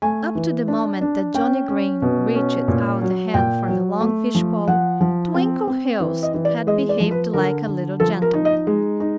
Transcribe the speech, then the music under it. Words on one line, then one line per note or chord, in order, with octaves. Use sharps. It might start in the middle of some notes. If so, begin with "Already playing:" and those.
Up to the moment that Johnnie Green reached out a hand for the long fish pole Twinkleheels had behaved like a little gentleman.
A3 G#5
E3
D4
D4
C#4 G5
C#4
B2
C#4
A#2
F#3
A#2 G5
F#3
A3
F3
F3 F#5
F3
C4
C4
E3
D#5
E3
D5
G#3 D#5
D5
F3
B4
D3 A#4
D3
F3 A4
A#4
D#4
D#5
G#3
D#4